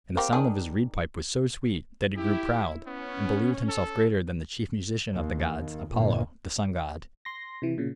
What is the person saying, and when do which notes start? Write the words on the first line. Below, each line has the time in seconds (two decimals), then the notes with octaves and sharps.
And the sound of his reed-pipe was so sweet that he grew proud, and believed himself greater than the chief musician of the gods, Apollo, the sun-god.
0.17 A#3 C4 G4
0.33 D#3 D4 G#4
2.16 E4 G4
2.87 B3 C#4
3.69 A4
5.14 D#2
5.60 D#2
5.91 G1 A#2
7.25 C6 A#6
7.62 C3 E3
7.78 A#2 C#3